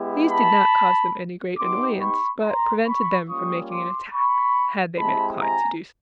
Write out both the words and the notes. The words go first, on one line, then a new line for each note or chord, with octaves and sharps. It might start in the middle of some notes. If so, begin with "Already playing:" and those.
These did not cause them any great annoyance but prevented them from making an attack, had they been inclined to do so.
Already playing: G#3 B3 E4 G4
A5 B5
B3 D#4 G4 C6 D6
B5 C#6
A#5 C6
B5 C#6
G3 A#3 C#4 F4 C#6 D#6
C6 D6
B5 C#6
G#3 C4 E4 G4 A5 B5
G#5 A#5